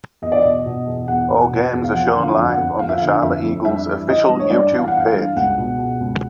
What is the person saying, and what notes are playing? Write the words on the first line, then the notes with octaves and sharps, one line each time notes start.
All games are shown live on the Charlotte Eagles official YouTube page.
E2 D#5
D5
B2 D#5
B2
E2
E2 F#5
B2
B2
E2
F5
F3 F#5
D3
F5
F2
F#5
F2
F3 F5
E5
D3 F5
F2 E5
F2
G2 E5
E3
E3 D#5
G2
C#5
G2 D5
E3
F5
F#5
E3 F5
F5
G2
C#2 F#5
B2
B2
C#2